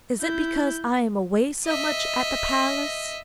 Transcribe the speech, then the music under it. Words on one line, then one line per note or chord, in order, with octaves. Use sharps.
"Is it because I am away so much at the palace?"
E4 G6
D#5 E5